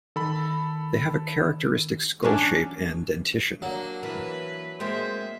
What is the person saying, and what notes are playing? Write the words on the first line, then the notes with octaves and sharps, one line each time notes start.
They have a characteristic skull shape and dentition.
D#3 A4 B5
E3 F#3 C#4 D4
F#3 A#3 D4
E3 A#3 B4
G#3 A#3 C4 C5 E5